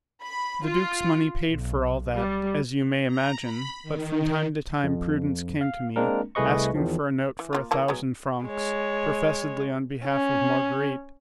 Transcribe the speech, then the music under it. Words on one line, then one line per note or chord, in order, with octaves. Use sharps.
The duke's money paid for all that, as you may imagine; but from time to time Prudence came to me, asking for a note for a thousand francs, professedly on behalf of Marguerite.
B5
F4
B1
G3
A#5
B5
D#3
F2
F5
G#3 A#3 C4 D4 A#4
C2 A3 G#4 B4 D#5 C#6
E2 D#3 F3
E3
A#3 E4 F4
E3 A#3 A5
F#3 G#3 B3
G#3 C#5
C#4